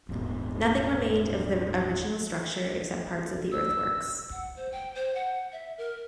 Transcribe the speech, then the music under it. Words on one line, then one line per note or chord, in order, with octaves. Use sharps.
Nothing remained of the original structure except parts of the earthworks.
D#1 G#1 B2
E6
F#5
C5
G5
C5
F#5
E5
A#4